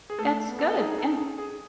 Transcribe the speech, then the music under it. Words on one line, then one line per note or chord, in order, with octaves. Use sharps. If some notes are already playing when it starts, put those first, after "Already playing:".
That's good, yeah.
G#4
A3 A4
B3
A4
D#4 G#4
G#4
D#4 A4
C#4
G#4
G#4